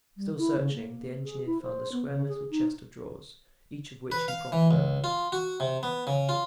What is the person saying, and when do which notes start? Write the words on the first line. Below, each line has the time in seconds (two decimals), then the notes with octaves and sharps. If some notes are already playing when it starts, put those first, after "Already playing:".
Still searching, the engineer found a square metal chest of drawers, each of which he promptly opened.
0.17 G3
0.37 E4
0.59 C#3
0.74 A#3
1.24 G#4
1.46 E4
1.62 C5
1.92 B3
2.09 C#3
2.28 G#4
2.51 D#4
4.12 B4
4.28 F5
4.52 E3
4.71 C#2
5.04 F4
5.32 F#4
5.60 C3
5.83 B3
6.07 C#3
6.29 F4